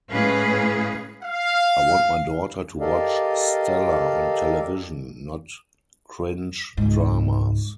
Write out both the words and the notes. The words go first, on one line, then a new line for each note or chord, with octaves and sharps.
I want my daughter to watch Stella on television, not cringe dramas.
A2 G#3 C#4 G#4 B4 F5
F5
G4 A4 A#4 D5 D#5 F5
C#2 G#2